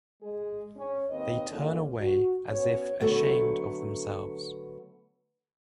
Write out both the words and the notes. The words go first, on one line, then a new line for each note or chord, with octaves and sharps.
They turn away as if ashamed of themselves.
G#3 G#4
C#4
D#2 C4 B4 D#5
F#2 D3 E3 G#3 A#3 C#4
F#4
B3 C#4 F#4 C#5
D3 F#3 A3 B3